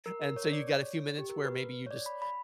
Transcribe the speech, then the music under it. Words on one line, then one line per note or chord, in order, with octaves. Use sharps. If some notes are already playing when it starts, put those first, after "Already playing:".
And so, you got a few minutes where maybe you just
A#4
A#4
C#5
D5
C#5
G4
A#4
B4
C#5
D5
B5
B5